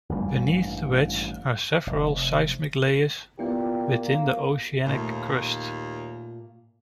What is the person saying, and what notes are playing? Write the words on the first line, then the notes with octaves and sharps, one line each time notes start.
Beneath the wedge are several seismic layers within the oceanic crust.
A1 G2 G3 A#3
F1
A#2 B3 E4 F4 G4
A#3
D#2 A#2 A3